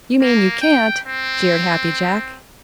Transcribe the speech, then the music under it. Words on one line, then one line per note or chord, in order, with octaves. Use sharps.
"You mean you can't!" jeered Happy Jack.
A#3
G5
C4